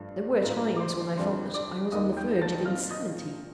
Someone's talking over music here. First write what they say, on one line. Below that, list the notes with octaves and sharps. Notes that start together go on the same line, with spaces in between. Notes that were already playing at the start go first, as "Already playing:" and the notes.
There were times when I felt that I was on the verge of insanity.
Already playing: G2 F3 A3 D4
A2 A3 D4 F4 A#4 A#5
D6
C5 C6
F2 D3 G3 D4 C5 C6
D5 D6
D#2 D#3 A#3 D#4 D#5 D#6
G5 G6
A#6
A5 A6
A#2 F3 C4 D#4 F5 F6
D#5 D#6